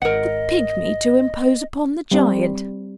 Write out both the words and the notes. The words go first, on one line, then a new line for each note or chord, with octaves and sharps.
The pigmy to impose upon the giant.
G#1 A#4 D#5 F#5
G3 C4